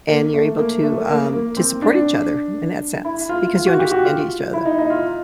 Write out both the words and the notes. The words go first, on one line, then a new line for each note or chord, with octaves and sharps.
and you're able to, um, to support each other in that sense because you understand each other.
A#3
A3
A#3
A3
A#3
A#3
C4
D4
E4
F4
F4
F#4
G4
F#4
F4
E4
D#4
D#4
F4